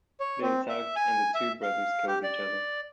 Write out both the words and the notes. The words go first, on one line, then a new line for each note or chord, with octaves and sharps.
They attacked and the two brothers killed each other.
C#5
C4
E5
G#5
E5
F5
G4
D5